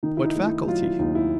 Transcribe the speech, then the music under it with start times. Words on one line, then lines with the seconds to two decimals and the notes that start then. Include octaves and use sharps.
What faculty?
0.03 D#3 D#4
0.17 E4
0.24 D#4
0.36 A3
0.46 E4
0.67 F#3 F4
0.83 E4
0.99 D#2 D#4
1.15 E4